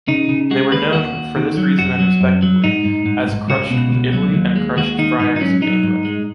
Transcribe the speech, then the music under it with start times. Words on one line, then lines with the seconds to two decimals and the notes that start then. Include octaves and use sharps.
They were known, for this reason and respectively, as Crutched of Italy and Crutched Friars of England.
0.08 C#3 D#4
0.29 C#3
0.51 G#3 F#4
0.72 D#2 B4
0.93 D#2 F#4
1.15 D#2
1.36 D#3
1.57 F#3
1.79 F#2 F#4
2.00 F#3
2.21 F#2
2.43 F#3
2.64 G#2 D#4
2.85 G#2
3.06 G#2
3.28 G#2
3.49 C#2 F#4
3.70 B2
3.92 C#2
4.13 F#3
4.34 D#2
4.56 G#3
4.77 D#2 F#4
4.99 D#3 D#4
5.20 G#2 D#4
5.36 D#4
5.41 F#3 C#4
5.62 F#3 D#4
5.83 G#2
6.05 G#3